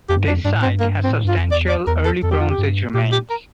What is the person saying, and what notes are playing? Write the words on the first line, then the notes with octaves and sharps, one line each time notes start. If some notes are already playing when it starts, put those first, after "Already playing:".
The site has substantial Early Bronze Age remains.
F2 G4
G2
F2 D4
G2 D4
A2
C4
G2
A#3
C4
A2
G2 F4
F2
E2 D5
D5
E2 A#4
A4
F2 A4
E2 G4
F2 F4
G4
G2
A#2 G4
G4
A#4